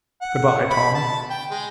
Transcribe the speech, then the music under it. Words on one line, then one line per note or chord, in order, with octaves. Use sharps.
Good-by, Tom.
F#5
B5
A5
G5
G#3